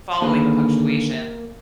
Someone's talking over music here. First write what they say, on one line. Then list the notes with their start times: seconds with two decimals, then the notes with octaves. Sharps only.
following the punctuation,
0.21 D3 D#3 A#3 G#4 B4